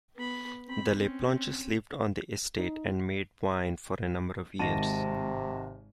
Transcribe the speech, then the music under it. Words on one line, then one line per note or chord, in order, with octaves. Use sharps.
The Laplanches lived on the estate and made wine for a number of years.
B3 B5
C4 B5
C4 C#4
D#4
G#1 G#2 C3 D#4 A5 A#6 D#7